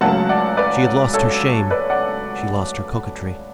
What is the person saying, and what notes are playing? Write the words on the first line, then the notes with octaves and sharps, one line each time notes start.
She had lost her shame; she lost her coquetry.
C#2 C#3 F#3 A3 C#4 F#5 A5
D5 F#5
B4 D5
A4 C#5
B4 D5
D5 F#5